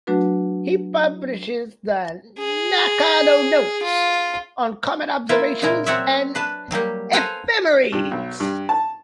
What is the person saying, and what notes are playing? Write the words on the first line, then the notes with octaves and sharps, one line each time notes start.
He publishes the "Nakano Notes" on comet observations and ephemerides.
F#3 A3 D4 F#4 B4
G#4
F4
A#3 E4 F4 A#4 E5
A#2 C#3 G#3 E4 A#4
F#3 C4 F#4 C#5 D5 E5
D4 B4 A5
F#3 G3 A#3 G4
A4 B4 C5 F5 G#5 A#5
G2
B1
G2
A5